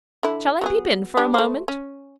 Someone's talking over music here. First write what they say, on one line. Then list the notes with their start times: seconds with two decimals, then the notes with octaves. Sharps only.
"Shall I peep in for a moment?"
0.23 D3 E4
0.61 F#3 B3 G#4
1.17 G3 D4 G4
1.34 A3 C5
1.68 C#4